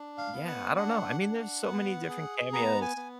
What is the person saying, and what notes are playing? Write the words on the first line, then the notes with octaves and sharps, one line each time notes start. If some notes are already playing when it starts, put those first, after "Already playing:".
yeah, I don't know, I mean, there's so many different cameos.
Already playing: D4
F5
B3
F#5
D4 F#5
D4
B3
G#4
B3 A#5
G#5
B3